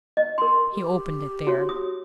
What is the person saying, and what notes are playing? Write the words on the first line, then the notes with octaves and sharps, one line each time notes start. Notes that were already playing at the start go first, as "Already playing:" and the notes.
He opened it there.
D#5
A#4 C6
G4
F#4 C#5
D#6